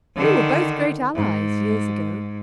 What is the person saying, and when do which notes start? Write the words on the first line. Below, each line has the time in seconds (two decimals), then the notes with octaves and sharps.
You were both great allies, years ago.'
0.15 D3 D#3
1.15 G#2